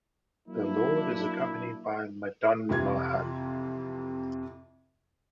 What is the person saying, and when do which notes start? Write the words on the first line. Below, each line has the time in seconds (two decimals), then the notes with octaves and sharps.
The Lord is accompanied by Madanmohan.
0.48 F#3 A#3 D4 E4
2.69 F2 C3 E3 F4 G#6